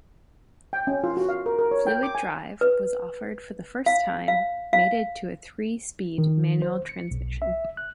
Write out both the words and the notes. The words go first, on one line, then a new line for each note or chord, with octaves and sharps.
Fluid Drive was offered for the first time, mated to a three-speed manual transmission.
G5
C#4
F4
F#4
F5
A#4
A#4
C#5
G5
D6
G#5
B4
F5
F5
F5
D#3
C5
C#7
B1
E5
F#6